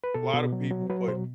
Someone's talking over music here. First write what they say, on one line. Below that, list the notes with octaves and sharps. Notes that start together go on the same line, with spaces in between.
lotta people but
B4
B2 A4
B2
F#3
F#3
F#3 B4
B2 C5